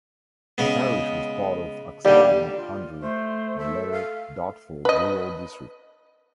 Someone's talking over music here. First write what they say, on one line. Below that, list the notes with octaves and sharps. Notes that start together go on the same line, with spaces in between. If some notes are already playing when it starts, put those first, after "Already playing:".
The parish was part of Axstane Hundred and later Dartford Rural District.
C#3 G#3 B3
D#2 D3 G3
F4
A3 C5
A4 E5
F5
B4 D#5